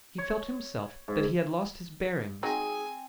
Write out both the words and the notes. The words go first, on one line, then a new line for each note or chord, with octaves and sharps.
He felt himself that he had lost his bearings.
C#5
G#2
F#3 G#3 C4 D#4 G#4 G#5